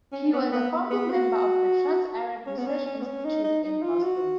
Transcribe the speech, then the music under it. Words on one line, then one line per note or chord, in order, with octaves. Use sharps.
He was a founding member of the Trans-Arab Research Institute in Boston.
C#4
B3
B3
B3
F#4
C#4
B3
C#4
C#4
B3
C#4
D#4
D#4
D#4
F4
F#4